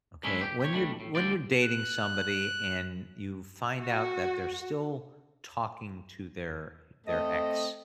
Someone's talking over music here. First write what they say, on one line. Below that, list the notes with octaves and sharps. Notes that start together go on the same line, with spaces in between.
Okay? When you're when you're dating somebody and you find out that they're still talking to their their ex,
G#3 C#4 D4 E4
G4
G4 C#5
G3 A3 D4
A2
D2 C5 D5
F#6
F#4
A3 C4 D#5